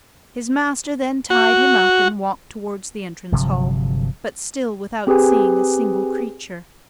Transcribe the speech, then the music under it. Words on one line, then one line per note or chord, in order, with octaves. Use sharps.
His master then tied him up, and walked towards the entrance hall, but still without seeing a single creature.
F#4
G1 C3 F3 F#3
C4 G4 G#4 B4 G#5